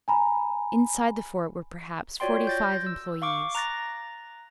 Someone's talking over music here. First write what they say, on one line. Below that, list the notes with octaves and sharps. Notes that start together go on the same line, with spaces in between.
Inside the fort were perhaps forty-five employees.
G#5 A#5 B5
F4 F#4 C#5 D5 G5 C6
G6 A6 A#6
E6
F5 C#6 D6
A#5 F#6 A6 A#6